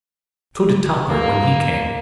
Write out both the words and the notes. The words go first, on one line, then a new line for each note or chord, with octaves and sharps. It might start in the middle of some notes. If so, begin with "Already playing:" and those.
So did Topper when he came.
A#3